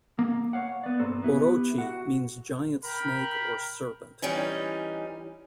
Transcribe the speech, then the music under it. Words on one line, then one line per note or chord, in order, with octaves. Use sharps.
"Orochi" means "giant snake" or "serpent".
A#3
C#5 F5 F#5
B3 D5
B1 G2 A#3 C4 A4
B3 E4 G4
F#4 F#5
A#4 G5 B5
E3 G3 C#4 D#4